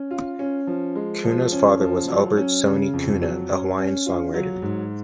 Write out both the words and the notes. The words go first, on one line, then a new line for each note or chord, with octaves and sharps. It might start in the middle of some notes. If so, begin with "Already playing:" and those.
Cunha's father was Albert "Sonny" Cunha, a Hawaiian songwriter.
Already playing: C#4
F4
C#4
F3
G#3
F3
C#4
F3
F#3
C#4
C#3
F2
F#3
C#4
C#4
F4
F#3
G#2